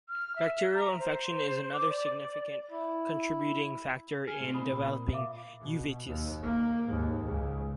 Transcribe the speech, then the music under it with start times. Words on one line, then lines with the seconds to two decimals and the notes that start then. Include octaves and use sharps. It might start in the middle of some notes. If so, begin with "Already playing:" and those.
Bacterial infection is another significant contributing factor in developing uveitis.
0.09 F6
0.36 E5
0.75 A#5
0.99 C5
1.73 D6
1.90 D5
2.69 E4
4.27 G#4 F6 G7
4.40 A2 C4
4.54 B5 D#6
4.70 A#2
5.13 E5 F5 D6
5.60 B2
6.06 D#2
6.43 A#3
6.87 D#2 G#2
7.26 C#2